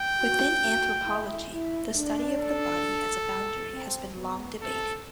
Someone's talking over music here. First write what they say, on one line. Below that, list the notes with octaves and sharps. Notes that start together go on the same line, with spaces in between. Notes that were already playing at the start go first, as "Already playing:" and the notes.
Within anthropology, the study of the body as a boundary has been long debated.
Already playing: G5
F#4
F#4
E4
E4
D4
A4
C4
B3
C3 A4